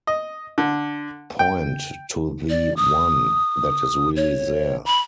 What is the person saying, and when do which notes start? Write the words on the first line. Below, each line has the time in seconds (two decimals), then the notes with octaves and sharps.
Point to the one that is really there.
0.07 D#5
0.58 D3
1.39 G5
2.49 D5
2.77 D#6
4.16 C#5
4.85 B5